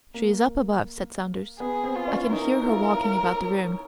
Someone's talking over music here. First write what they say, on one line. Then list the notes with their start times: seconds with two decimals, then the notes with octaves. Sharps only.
"She is up above," said Saunders; "I can hear her walking about the room."
0.14 A#3
1.59 B3 G#4
1.84 C4
1.96 F4
2.08 C#4
2.20 E4
2.32 D#4 A#4
2.64 E4
2.69 F4